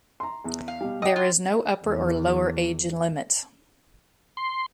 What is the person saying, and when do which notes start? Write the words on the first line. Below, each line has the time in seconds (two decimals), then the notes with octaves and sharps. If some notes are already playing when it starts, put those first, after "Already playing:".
There is no upper or lower age limit.
0.20 A#5 C6
0.44 E2 G#4
0.68 F5
0.81 B2 G3
1.02 D#5 F#5 G5 D#6
1.16 F4
1.84 E2
4.37 C6